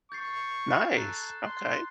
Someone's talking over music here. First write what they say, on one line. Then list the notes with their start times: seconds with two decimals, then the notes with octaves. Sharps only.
Nice, okay.
0.12 C#6 G6 A6 C7
0.97 A4 A#5 F#6 A6
1.45 C6